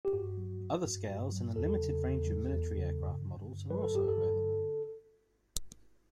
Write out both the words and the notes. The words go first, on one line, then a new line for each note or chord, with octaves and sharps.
Other scales and a limited range of military aircraft models are also available.
G4
G2 F#4
F#3
F#3
G2
G2
F#3
E2 A4
C#3
E2
F#3
E2
C#3
G2
D3
G2
F#3 B4
A4
G2 G4
A4
D3